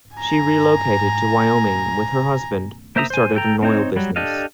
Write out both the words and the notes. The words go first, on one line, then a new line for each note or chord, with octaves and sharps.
She relocated to Wyoming with her husband, who started an oil business.
G#5 A#5
A#3 C5 E5 A#5 D#6
C5 G#5
A4 G5 A#5
C4 D#4 C5 C#5
F#3 G3
D4 G4 A4 D#5 F5